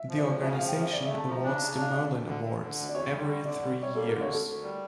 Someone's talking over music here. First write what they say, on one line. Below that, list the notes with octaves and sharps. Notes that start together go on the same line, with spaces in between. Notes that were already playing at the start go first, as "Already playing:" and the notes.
The organization awards the Merlin Awards, every three years.
Already playing: E5
F3
D5
D2
C#3 E5
F3 F5
G5
C#3 E5
C#3 D5
A3 E5
A5
F3 A#5
D4 A5
C#3 A#5
A5
D4 F5
D2 D5
D2
D3
D3
D3
D2
D5
E2 C#5
G3
D3
D3 D5
G3
G3 C#5
A#3 A4
D3 A#4
C#5
D2 A4
D2
G3